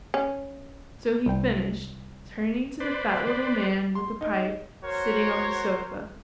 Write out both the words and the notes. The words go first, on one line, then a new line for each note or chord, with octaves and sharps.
So he finished, turning to the fat little man, with the pipe, sitting on the sofa.
C#4
C2 G5
B4 C5 D5
C6
D#4
F#4 A#4 C5 C#5